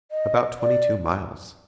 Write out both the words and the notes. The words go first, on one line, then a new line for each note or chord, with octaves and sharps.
'About twenty-two miles.
D#5
D5